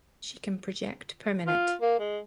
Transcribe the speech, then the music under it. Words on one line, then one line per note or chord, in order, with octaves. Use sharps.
She can project per minute.
F4
A#3
G#3